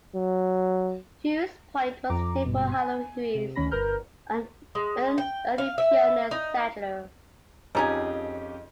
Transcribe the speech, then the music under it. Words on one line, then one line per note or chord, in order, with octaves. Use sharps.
Hewes Point was named for Paola Hewes, an early pioneer settler.
F#3
F2 A#5 D6
G#1 G2 B2
G#5
C3
D2 D#3 C#4 B5 A#6
G1 A#4 B4 A#5 F6 G6
G#3
G5
F5
E5
D#4
F2 F3 C#4 D#4 G4 G#4